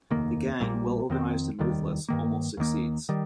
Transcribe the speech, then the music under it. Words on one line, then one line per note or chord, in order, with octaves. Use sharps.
The gang, well-organized and ruthless, almost succeeds.
F1 D#2 D#3 A#3
A#1 A#2 G3 A#3
F2 D#3 C4
F1 D#2 D#3 G3
G2 D#3 A#3
D#2 D#3 A#3
D#3 G3